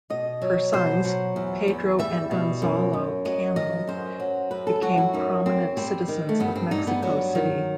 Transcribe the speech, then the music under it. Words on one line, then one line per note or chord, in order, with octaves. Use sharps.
Her sons, Pedro and Gonzalo Cano, became prominent citizens of Mexico City.
B2 D#5
F#3
B2 C5
F#3
E2
E2
G3 E5
B2
F#2
F#2
F#3 D#5
D#3 D#5
F#2 C5
F#3
F#2 B4
A4
F#3 F#4
E4
F#2 D#4
F#2 C4
G3 C4
D#3
A3
G2 B3
C4
G2 D#4
B3
F#3 B3
D#3